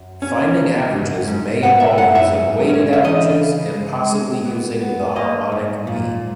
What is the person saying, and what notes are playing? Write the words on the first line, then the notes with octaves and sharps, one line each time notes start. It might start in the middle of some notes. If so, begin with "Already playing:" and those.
Finding averages may involve using weighted averages and possibly using the Harmonic mean.
Already playing: F#2
C#4
C#2
G#2
G#2
B3 F#5
E5
F#2 F#5
E5
G#2
C#4
E5
E3 D#5
C#3
G#3
G#3
B3
B3
A#3 D#5
G#2
A#2